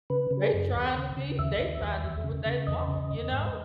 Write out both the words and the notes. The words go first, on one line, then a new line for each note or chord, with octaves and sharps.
They trying to be they trying to do what they want, you know,
C#3 B4
C#3
G#4
F#2
D#2
C#3
C#3
D#2 E5
D#2
D#2
E2
C#3
C#3
E2 D#5
C#3
E2
G#2